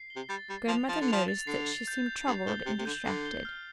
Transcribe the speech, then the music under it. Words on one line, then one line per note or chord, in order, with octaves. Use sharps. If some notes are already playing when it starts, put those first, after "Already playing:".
Grandmother noticed that she seemed troubled and distracted.
Already playing: C7
G7
C3
G3 A6
G3 A6
F3 F7
F3 A6
D3
F3 F7
A6
D3 C7
F7
G6
G6
G2 C7
A2 G7
C3 G6
C3
D3 G6
D3 C7
G7
F6